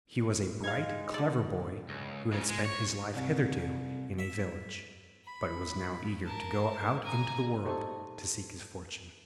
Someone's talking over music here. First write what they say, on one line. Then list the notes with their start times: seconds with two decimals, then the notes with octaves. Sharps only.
He was a bright, clever boy who had spent his life hitherto in a village, but was now eager to go out into the world to seek his fortune.
0.64 G#3 D#4 F5 G#6
1.14 D3 A4 D5
1.89 C#2
2.33 G#2 C#3
2.49 G#3
2.65 C#5
3.14 C2
4.19 E5
5.24 B5
6.25 A#4 A5
7.02 G#5 A#5
7.65 D#4 G4 A4 C5 D#5 C#6